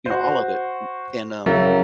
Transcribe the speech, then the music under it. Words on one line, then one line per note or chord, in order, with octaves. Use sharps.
you know, all of it m and, uh,
F#4 C5
C#3 F#3 E4 A#4